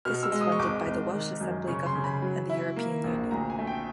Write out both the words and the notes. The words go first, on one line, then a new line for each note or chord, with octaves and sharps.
This was funded by the Welsh Assembly Government and the European Union.
B2 F6
E6
G#3
D#6
C#6
G#1 D6
G#1
D#3
F#2
C#3 C#6
C6
C#3
B5
F#3
E4
A#3
A#1
D2 A#5
G#5
A3
G5